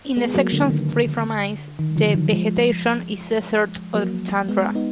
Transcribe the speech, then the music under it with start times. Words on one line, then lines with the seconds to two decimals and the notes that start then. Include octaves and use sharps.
In the sections free from ice, the vegetation is desert or tundra.
0.17 G#3 B3
0.34 F#3 A#3
0.53 D3
0.63 D#3
0.70 D3
1.79 D#3
1.96 D3 F3
2.14 D#3 F#3
2.32 F3 G#3
3.94 F#3 A#3
4.49 G#3 B3
4.75 B3 D#4